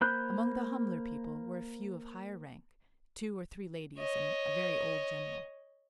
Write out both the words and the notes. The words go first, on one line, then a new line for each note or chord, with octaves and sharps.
Among the humbler people were a few of higher rank--two or three ladies and a very old general.
A#3 C5 B5 F#6 G6
C#5 D#5